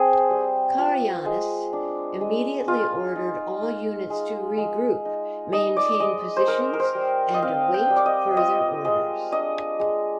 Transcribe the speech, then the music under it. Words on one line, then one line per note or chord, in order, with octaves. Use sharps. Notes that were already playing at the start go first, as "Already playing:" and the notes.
Karayiannis immediately ordered all units to regroup, maintain positions and await further orders.
Already playing: C4 G#4 C5
G3
F4
G#3
D4
G#3
G#3 F4
D#4
D#4
G#3
G#3
D#4
D#4 D#5
D5
G#3 D#5
C5
D#4 A#4
A#4
C5
G3
D#5
C4 F5
G5
G3
D5
D#5
F4 D#5
G#3 D#5
D4 D#5
G#3